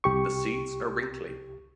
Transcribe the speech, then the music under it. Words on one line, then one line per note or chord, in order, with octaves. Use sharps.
The seeds are wrinkly.
C2 G4 C#6